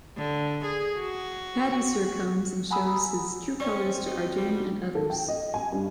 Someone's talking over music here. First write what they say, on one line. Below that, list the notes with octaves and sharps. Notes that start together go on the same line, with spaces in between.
Paddy sir comes and shows his true colors to Arjun and others.
D3
G#4
F#4
F#5 G#5 A#5 B5 D#6 E6
C4 C#4 C#5 D5 C#6
D#4 F#4
G3
A4
G5
D#5
G#5
G2